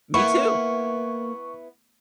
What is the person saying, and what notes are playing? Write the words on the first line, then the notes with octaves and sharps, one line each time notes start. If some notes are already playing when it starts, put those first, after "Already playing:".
Me too.
A#3 B3 E4 C#6